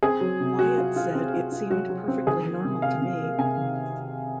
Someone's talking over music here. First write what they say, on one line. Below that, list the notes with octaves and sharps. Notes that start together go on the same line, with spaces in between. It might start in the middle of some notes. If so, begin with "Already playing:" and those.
Wyatt said It seemed perfectly normal to me.
C4 G#4
F#3
C3
F#3 F#4
F4
F4
C4
F4
F4
F#3 F#4
F#3
C4
D#3 G#4
A#3
C3
C3 F5
C3
A#3
C3 G#5
D#3